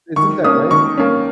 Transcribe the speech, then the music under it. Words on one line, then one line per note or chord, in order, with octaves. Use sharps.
Isn't that right?
D#3 C#6
A#3 C#4 D#6
D#3 C#6
A#3 C#4